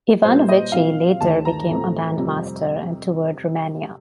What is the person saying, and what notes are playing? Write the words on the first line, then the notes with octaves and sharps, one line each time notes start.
Ivanovici later became a bandmaster, and toured Romania.
A#2 G3 A#3 C5
D#5
A#2 F3 C4 F5
D#2 D#3 A3 A5
A#5
A2 F3 A3 C4
F2 C3 G3